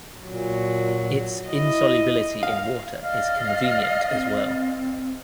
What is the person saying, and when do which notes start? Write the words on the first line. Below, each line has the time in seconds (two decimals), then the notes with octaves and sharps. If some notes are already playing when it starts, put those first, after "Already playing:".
Its insolubility in water is convenient as well.
0.24 A#2 F#3
1.48 E4 D#5
2.43 F5
3.02 D5 D#5 F5
4.11 C4